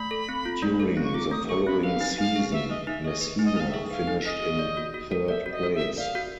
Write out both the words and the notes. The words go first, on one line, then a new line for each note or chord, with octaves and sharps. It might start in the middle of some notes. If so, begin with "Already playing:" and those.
During the following season, Messina finished in third place.
Already playing: A3 B5
A4
C4
F4
A3
A4
C4
C#6
F4 D6
A3 D#6
A4 C#6
C4 B5
B4 F5
D#4
D#4 F5
G#4
B4 E5
D#4 D#5
D#4 E5
G#4 D#5
B4
D#4
D#5
D#4 F5
E5
G#4
B4 F5
D#4
D#4 D#5
G#4
D5
F#4
F#4
A#4
D5 E5
F#4
D#5
F#4
E5
A#4
D5 F5
F#4